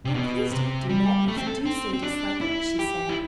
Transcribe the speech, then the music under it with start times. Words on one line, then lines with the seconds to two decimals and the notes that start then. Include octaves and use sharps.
"Oh, please, don't do that, I do so dislike it," she said.
0.05 C3
0.14 B2
0.51 C3
0.89 G3
1.28 A3
1.38 C4
1.47 A4
1.65 C4
1.93 C4
2.03 D4
2.41 E4
2.79 G4
3.09 E4